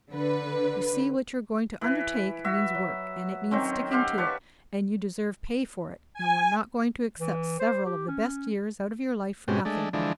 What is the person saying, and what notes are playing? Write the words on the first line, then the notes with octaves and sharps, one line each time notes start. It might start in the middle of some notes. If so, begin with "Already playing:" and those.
You see what you are going to undertake means work, and it means sticking to it; and you deserve pay for it, and we're not going to accept several of the best years out of your life for nothing.
D3 B4
E3 B4
F#4 E5
F#3
D#3 F#3 C4 C#4
G4 F5 F#5 C6
B4 C#5 D5 A5
G#5
E3
C5
G4
C#4
G#2 B2 C4 C#4 F#4 G4
G#3 A3 D4
D3 E3 F3 G#3 D4